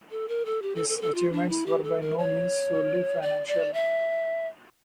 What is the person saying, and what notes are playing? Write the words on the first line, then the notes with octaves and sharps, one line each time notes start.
His achievements were by no means solely financial.
A4
A#4
A4
G4
A4
A4
A#4
A4
F4
D4
E4
G4
A4
A#4
C#5
D5
D5
E5